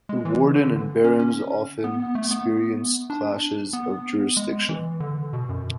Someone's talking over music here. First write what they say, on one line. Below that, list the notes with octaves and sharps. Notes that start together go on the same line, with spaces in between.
The warden and barons often experienced clashes of jurisdiction.
G#3
E3
C#3
D3
C#4
C#4
B3
B3
A3
B3
D4
B3
G#3
E3
D3
B2
F#2